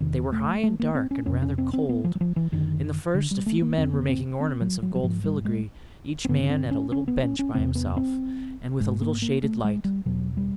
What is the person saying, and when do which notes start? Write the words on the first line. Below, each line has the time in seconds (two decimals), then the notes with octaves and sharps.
They were high and dark, and rather cold. In the first a few men were making ornaments of gold filigree, each man at a little bench by himself, and with a little shaded light.
0.01 E2 C3 D#3
0.32 A3
0.64 A3
0.80 A#3
0.95 C4
1.11 C#4
1.26 F2 C3 C#4
1.42 C#4
1.58 C4
1.73 C4
1.89 B3
2.05 F3
2.15 F#3
2.21 F3
2.36 E3
2.52 F#2 D3 D#3
3.14 D3
3.31 G3
3.46 A3
3.62 A#3
3.78 F2 D3 C4
3.93 B3
4.09 C4
4.40 C4
4.61 F#3
4.83 F#3
4.95 F#3
5.03 G#2 F3
5.24 G3
5.45 G#3
6.25 C4
6.29 G2 D3 B3
6.44 C#4
6.50 C4
6.71 C#4
6.92 C#4
7.08 B3
7.23 C#4
7.39 C#4
7.54 E2 C3 C4
7.75 B3
7.97 C4
8.80 G#2 G#3
9.02 A#3
9.22 A#3
9.43 A3
9.64 G#3
9.85 G3
10.06 E2 B2 F#3
10.37 G3